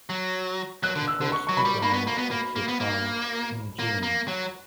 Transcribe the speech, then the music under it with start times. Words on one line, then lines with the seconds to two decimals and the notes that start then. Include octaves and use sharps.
The force began its advance in June.
0.10 F#3
0.83 F#3 F#6
0.96 D3
1.08 E6
1.21 D3
1.32 C#6
1.47 F#3 C#6
1.57 B5
1.65 G3
1.82 A#3 B5
1.94 B3
2.07 A#3
2.18 B3
2.31 A#3
2.56 A#3
2.68 B3
2.80 A#3
3.79 A#3
4.03 A#3
4.28 F#3